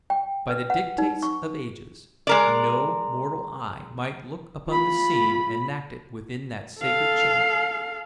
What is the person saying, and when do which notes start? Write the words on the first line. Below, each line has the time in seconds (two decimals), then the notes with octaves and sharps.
By the dictates of ages no mortal eye might look upon the scene enacted within that sacred chamber.
0.10 G5
0.49 B4
0.70 F#5
0.98 D#4
1.23 C#6
2.27 G#3 A#4 D5
4.68 F4 B5
6.81 A4 F5